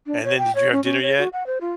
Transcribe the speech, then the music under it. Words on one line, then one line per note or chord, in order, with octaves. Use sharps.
And then did you have dinner yet?
D4
C#5
G5
C#5
C#4
C#4
C#5
F#4
F#5
C5
F4